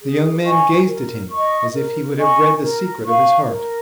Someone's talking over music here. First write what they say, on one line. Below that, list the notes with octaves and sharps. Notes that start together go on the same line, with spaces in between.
The young man gazed at him as if he would have read the secret of his heart.
G#4
D#5 G#5 C#6
A#4
D#5 C#6
A#4
D#5 G#5 C#6
A#4
F5 C#6
A#4